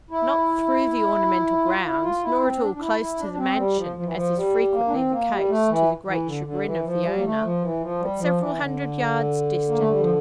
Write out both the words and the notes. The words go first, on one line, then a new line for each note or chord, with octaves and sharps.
Not through the ornamental grounds, nor at all close to the mansion--as is frequently the case, to the great chagrin of the owner--but several hundred yards distant.
E4
F4
E4
F4
E4
C4
D4
D4
E4
E4
D4
D4
C4
G3
F3
F3
E3
F3
G3
A#3
D4
C4
A#3
G3
A3
E3
E3
D3
D3
E3
F3
G3
A#3
A3
F3
E3
F3
G3
F3
E3
D3
A#3
A3
G3
F3